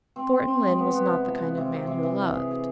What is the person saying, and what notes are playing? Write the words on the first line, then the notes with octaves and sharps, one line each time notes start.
Thornton Lyne was not the kind of man who loved.
C4
C4
C4
G#3
B3
B3
C3
F3
C3
C3
C3
C3
E3
E3
G#4
G#4